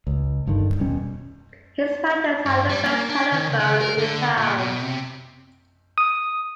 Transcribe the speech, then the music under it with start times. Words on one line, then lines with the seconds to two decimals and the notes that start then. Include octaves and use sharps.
His practice had the first telephone in the town.
0.07 C#2
0.46 G1 G2 D3 D#3
0.80 D#1 B2 G3 C#4
2.46 G2
2.69 G3
2.84 A#3
3.09 D4
3.32 D#3
3.47 C#2
3.59 C#3
3.80 A#4
3.98 D3
4.38 A#2
4.58 B2
4.83 C3
5.98 D#6